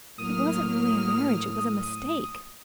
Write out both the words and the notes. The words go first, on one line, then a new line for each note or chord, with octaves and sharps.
It wasn't really a marriage; it was a mistake.
A2 F#3 A#3 D#6 F6